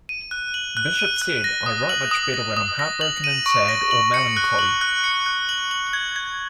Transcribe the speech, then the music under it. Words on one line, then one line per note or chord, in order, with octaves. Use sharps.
Bishop said: I write much better when I'm heartbroken and sad or melancholy.
D#7
F#6
F#7
F#6
D#7
F#6
A#6
D#6
F#7
D#6
A#6
D#6
A#6
F#7
D#7
C#6
A#6
F#7
C#7
F#6
F#7
F#6
C#7
F#6
F#7
F#7
G#6
G#6